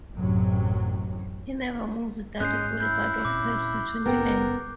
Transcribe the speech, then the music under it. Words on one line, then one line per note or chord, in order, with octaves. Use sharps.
He never moves without a bodyguard of twelve to twenty men.
A1 F#2 A2 C3 F#3
G#2 G#3 C#4 F#6 G6 C7
E4 G6
A#2 C4 D6
F#1 B3 C#4 A4 A#4 G5